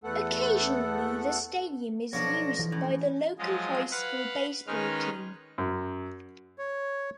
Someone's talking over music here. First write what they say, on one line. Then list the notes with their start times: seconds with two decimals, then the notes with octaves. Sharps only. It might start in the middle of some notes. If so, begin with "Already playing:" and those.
Occasionally, the stadium is used by the local high school baseball team.
0.04 E2 A3 B3 A4 F#5
2.13 B1 F3 D4 A4 C#5 A#6
2.59 E3
2.72 A2 C#4
3.39 F3 F#3 G#3 F4 D#5
3.91 B4 F5 F#5 B5
4.67 D#3 G#3 C#4 D#4 B4 F6
5.58 F#2
6.58 C#5